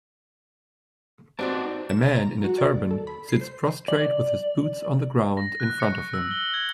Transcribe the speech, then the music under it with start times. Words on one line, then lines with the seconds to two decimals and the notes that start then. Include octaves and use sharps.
A man in a turban sits prostrate with his boots on the ground in front of him.
1.39 C4 D#4 F#4 C5 D5 A5
1.89 E7
2.16 A#5
2.44 F#4
2.58 D5
2.74 D#2
2.91 A4
3.07 B5
3.29 C7
3.41 C5
3.88 D5
5.37 A#6
5.60 F#6
5.80 C#7
5.92 C#6
6.14 E6
6.31 G7
6.54 G#6